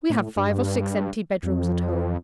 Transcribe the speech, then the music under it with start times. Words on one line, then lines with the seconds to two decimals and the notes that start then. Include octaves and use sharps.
We have five or six empty bed-rooms at home.'
0.10 A2
0.36 G2
1.43 F2